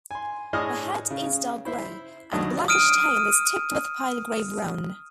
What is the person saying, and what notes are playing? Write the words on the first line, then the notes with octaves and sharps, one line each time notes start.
The head is dark grey, and the blackish tail is tipped with pale grey-brown.
G#5 C6
A2 D4 G#4 D#5 G#5 F6
C#3
E4 C5 E5
D#2 D3 F#3 G3 D#5 A5
D#6 F6 D7 D#7